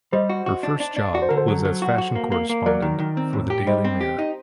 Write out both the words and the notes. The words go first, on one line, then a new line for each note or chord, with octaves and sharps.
Her first job was as fashion correspondent for the "Daily Mirror".
G3 C5 D#5
F#4
F#4
D4
D4
D4
F#4 D5
C5
D3 A#4
A4 C5
F#3
F#3
F#4
F#4
A#3
A#3
A#3
F#3 A#4 D5
D#3
D#3
C4
A2
G4
G3 C5 D#5
C4
G4
D#4